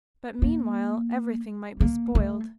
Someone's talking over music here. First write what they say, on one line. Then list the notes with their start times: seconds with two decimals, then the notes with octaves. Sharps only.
But meanwhile everything might be spoiled.
0.42 A#3
1.81 A#3
2.15 A3